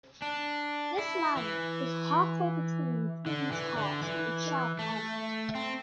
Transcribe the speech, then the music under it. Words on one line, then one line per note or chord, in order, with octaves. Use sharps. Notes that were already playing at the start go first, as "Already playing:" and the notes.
This land was halfway between Kingshurst and Shard End.
D4
E4
E3
D3
E3
D3
E3
A3
C4